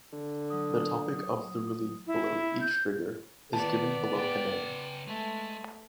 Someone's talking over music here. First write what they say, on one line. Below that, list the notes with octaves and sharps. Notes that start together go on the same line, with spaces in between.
The topic of the relief below each figure is given below the name.
D3
F#3 D#6
E4
G6
D#3 B3 D5 A5
C#3 G5
G#3 A3